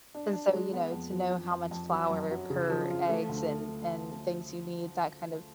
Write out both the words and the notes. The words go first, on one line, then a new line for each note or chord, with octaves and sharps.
and, so, you know, to know how much flour per eggs and and things you need, that kind of
D4
D4
G#3
B3
F2
F3
F2
F2
F2
F#3
F#2
F#3
C#3
F3
F4
A3
D2
A3